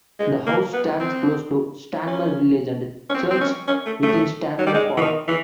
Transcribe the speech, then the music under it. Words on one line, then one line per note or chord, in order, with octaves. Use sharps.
The house stands close to Stanmer village and Church, within Stanmer Park.
G#3
A#3
B3
C4
C#4
C#4
C4
C4
C#4
C#4
A3
A3
F#3
G3
G#3
E3
D#3
E3